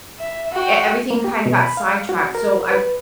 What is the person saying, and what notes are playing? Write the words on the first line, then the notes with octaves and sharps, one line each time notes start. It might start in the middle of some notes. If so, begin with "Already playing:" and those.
e everything kinda got sidetracked, so I
E5
F#4 G5
A#3
G4
B2
B5
F5
F#4
A#4
B4